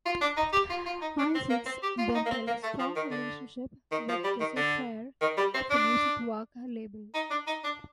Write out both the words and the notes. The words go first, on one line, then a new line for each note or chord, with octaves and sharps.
Isaacs then built a strong relationship with Gussie Clarke of the Music Works label.
F4
D4
D#4
G4
F4
F4
D#4
D4
C4
A#3
C4
G4
F4
D#4
A#3
C4
A#3
A3
F3
D#3
D3
D#3
F3
G3
D#3
D3
D#3
G3
C4
D4
D#4
D4
D#4
D4